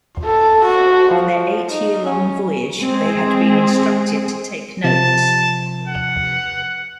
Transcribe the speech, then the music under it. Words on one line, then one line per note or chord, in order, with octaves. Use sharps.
On their eight-year-long voyage they had been instructed to take notes.
A4
F#4
F3
D#4
C#4
G#3 C4 G#4
C3 F3 A5
F#5